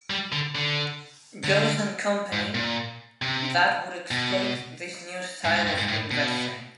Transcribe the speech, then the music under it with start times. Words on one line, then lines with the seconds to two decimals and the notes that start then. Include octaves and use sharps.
Jones and Company, that would exploit this new style of investing.
0.10 G3
0.32 D3
0.55 D3
1.44 D3
2.33 G#2
2.55 A#2
3.22 C3
4.11 B2
5.45 G#2
5.55 G#2
5.67 G2
5.78 G#2
5.89 A2
6.11 B2